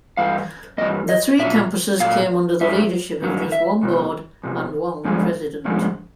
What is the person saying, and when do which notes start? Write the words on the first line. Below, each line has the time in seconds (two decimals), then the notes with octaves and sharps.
The three campuses came under the leadership of just one board and one president.
0.17 G2 E3 F5
0.78 G2 E3 G3 D#5
1.09 D#5
1.39 A#2 F#3 E5
2.00 A#2 F#3 F5
2.61 G2 D3 F#3 E5
3.22 G2 D3 F#3
3.52 E5
3.83 E2 C3
4.44 E2 C3
5.05 G2 D3 F3 G#3
5.65 G2 D3 F3 G#3